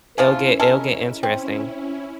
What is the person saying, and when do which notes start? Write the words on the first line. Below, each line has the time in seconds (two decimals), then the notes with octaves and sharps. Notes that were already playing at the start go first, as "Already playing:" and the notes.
it'll get it'll get interesting.
0.18 C#3 F3 C#4 E4 F4
0.60 G#3 A4 A#4
1.23 C4 C#4 E4